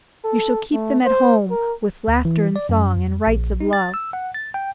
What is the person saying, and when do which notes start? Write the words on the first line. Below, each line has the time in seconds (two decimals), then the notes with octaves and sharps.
You shall keep them at home, with laughter and song and rites of love.
0.24 A4
0.73 A3
1.05 C5
1.50 A#4
2.08 D2
2.25 E3
2.56 D5
2.69 F#2
2.96 F2
3.27 A#1
3.61 D#4
3.73 A6
3.94 E6
4.13 F#5
4.34 A6
4.54 G5